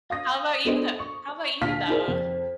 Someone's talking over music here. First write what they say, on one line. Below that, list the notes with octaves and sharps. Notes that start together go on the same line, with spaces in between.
how about you though How about you though?
F5 D#6 A#6
B3 D4 A4 C5 D#5
C#6
D2 A#2 F5 A5 F6 B6
D#4 E4 G#4 A#4 C5 D5
F2